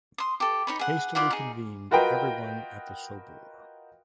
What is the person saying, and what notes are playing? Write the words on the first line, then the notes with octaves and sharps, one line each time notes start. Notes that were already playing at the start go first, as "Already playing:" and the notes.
Hastily convened everyone at the Sobor.
C6 D#6
G4 A4
D#4 C#5 B5
G#4 F#5
E4 F4 D5 F#5
D#4 G#4
F4 F#4 A#4 B4 D#5 G5